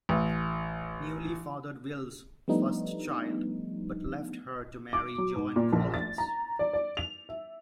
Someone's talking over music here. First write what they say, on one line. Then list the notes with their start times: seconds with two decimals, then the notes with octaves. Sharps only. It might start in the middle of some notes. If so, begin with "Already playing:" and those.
Newley fathered Wills' first child, but left her to marry Joan Collins.
0.09 A1
2.48 F3 G3 A3 B3 D4 D#4
4.93 D6
5.18 F#3
5.36 G#2
5.56 A#2
5.73 A#1
5.94 A6
6.18 A#5
6.59 D5
6.73 D5
6.97 F7
7.29 E5